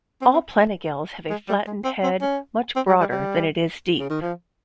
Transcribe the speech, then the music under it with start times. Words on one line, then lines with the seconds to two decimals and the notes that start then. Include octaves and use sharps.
All planigales have a flattened head, much broader than it is deep.
0.21 C4
0.33 C4
1.30 G#3
1.48 G3
1.67 G#3
1.84 C4
2.03 C4
2.21 C#4
2.76 C4
2.88 G3
3.00 G3
3.12 G3
3.99 C#3
4.10 D#3
4.22 F3